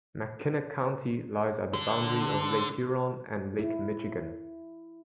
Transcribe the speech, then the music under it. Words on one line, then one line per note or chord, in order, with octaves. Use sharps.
Mackinac County lies at the boundary of Lake Huron and Lake Michigan.
D3
E4